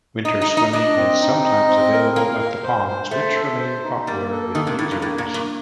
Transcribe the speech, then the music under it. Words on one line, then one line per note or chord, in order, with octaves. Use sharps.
Winter swimming is sometimes available at the ponds, which remain popular with users.
D#4 D#5
D#4
D#5
D#4
D4 D#5
C4
D#4
D#5
C4
A#4
A#3 F5
F5
C5
C5
A3 C5
A4
C5
D#4
G3 A#3
A4
D#3 A#3
C3
A2 A#3
G2
A2 A#3
A#2
A#3
G2